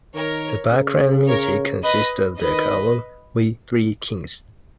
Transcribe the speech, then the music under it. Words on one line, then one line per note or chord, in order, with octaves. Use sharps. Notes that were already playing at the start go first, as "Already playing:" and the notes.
The background music consists of the carol "We Three Kings".
D#3 A#4 C#5
C#3
A#4 C#5
B4 D#5
D#3 B4 D#5